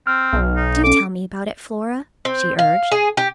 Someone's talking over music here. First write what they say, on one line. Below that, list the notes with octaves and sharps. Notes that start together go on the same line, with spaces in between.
"Do tell me about it, Flora," she urged.
C4 F6
B1
D#4
C#4 A4 D6
C4
F5
G#4
G4